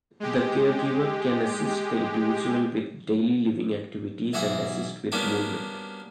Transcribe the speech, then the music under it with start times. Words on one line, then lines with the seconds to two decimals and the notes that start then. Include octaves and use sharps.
The caregiver can assist the individual with daily living activities and assist with movement.
0.20 G#3 G4
4.33 B1 E3 F#4 G#4 F#5
5.12 G3 A#3 B3 C#4 D4 F#4